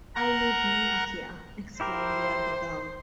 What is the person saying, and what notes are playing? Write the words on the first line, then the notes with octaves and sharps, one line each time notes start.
"I live near here," explained the other girl.
A#4 F#5 A#5
E4 G4 A#4 C5